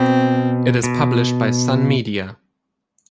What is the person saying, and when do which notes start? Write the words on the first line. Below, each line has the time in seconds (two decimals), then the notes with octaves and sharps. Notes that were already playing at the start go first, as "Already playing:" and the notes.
It is published by Sun Media.
Already playing: B2 C4
0.83 B2